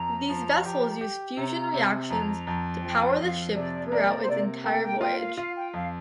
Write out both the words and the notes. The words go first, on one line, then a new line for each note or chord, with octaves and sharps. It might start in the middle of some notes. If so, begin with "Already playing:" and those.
These vessels use fusion reactions to power the ship throughout its entire voyage.
Already playing: F2 A#5
F3
G4
G4
C3 A#5
C3
F2 A#5
F2
F3 G5
D5
F2 F5
C3 D5
A#3 D5
C5
C3 D5
A#3 G5
G5
F4 G5
F5
F4 F5
G5
F2 F5